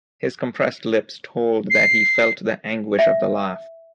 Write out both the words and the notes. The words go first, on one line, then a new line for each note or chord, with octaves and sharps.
His compressed lips told that he felt the anguish of the laugh.
C7
E5